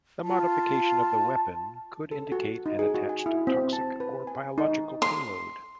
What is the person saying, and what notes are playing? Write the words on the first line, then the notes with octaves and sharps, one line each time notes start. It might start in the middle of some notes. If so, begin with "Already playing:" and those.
The modification of the weapon could indicate an attached toxic or biological payload.
F4 A5
A4
F#4
D#4
G#4
F#4
G#5
E4
C4
A5
B4
G#5
D#4
C6